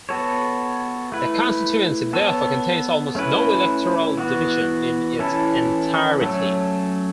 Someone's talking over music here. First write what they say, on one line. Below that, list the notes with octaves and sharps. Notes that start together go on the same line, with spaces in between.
The constituency therefore contains almost no electoral division in its entirety.
B3 F#4 A4 C#5
A3 E4 B4
B3 A4 C#5
A3 C#4 E4 B4
E3 B3 F#4
E3 C#4 E4 A4
F#3 A3 C#4 A4